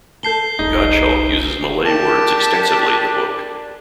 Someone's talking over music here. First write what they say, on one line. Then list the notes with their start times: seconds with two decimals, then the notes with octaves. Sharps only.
Godshalk uses Malay words extensively in the book.
0.23 A4 A5 G6 C7 G7
0.59 E1 B1 G3 D#4 G#4 D#5
1.85 D4 G4 A#4 A5